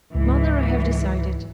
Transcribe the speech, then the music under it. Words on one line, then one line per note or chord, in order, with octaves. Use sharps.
Mother, I have decided!
C#2 G#2 E3